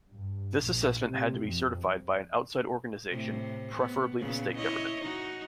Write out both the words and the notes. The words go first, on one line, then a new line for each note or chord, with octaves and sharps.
This assessment had to be certified by an outside organization, preferably the state government.
G2
A#1
C3
F2
A2 C3
B3
A#2 C#3 B3
E4 C#5 D#5
D#4 F#4